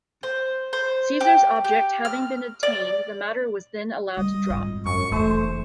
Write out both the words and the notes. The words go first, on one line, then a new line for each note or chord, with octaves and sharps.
Caesar's object having been attained, the matter was then allowed to drop.
C5
C5
G4
G4
F6
D5
G3 D#5
G#1 F4
F#2 C#6
F1 E3 A3 C5